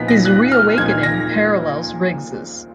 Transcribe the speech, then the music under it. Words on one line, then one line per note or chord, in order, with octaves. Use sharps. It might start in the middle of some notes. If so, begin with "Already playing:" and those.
His reawakening parallels Riggs'.
Already playing: A#2 F3 B3 D#4 B6
A#6
F#6
F6
A#2 F3 A#3 D#4 G#6
A#6